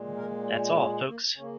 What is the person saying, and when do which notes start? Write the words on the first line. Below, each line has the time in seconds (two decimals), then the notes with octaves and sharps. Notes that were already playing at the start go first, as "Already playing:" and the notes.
That's all Folks!
Already playing: A#2 G#3
0.17 A#4
0.77 C#4
1.07 A#3
1.37 C#3 A#3 C#4